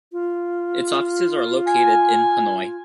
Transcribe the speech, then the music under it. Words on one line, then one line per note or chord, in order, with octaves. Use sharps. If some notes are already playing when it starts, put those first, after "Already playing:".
Its offices are located in Hanoi.
F4
G#5